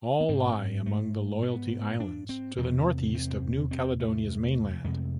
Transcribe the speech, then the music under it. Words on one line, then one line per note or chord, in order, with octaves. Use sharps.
All lie among the Loyalty Islands, to the northeast of New Caledonia's mainland.
B3
G#2 C4
A3
B3
D4
C4
E2 C3 C4
C4
C4
A3
F2 C3 G#3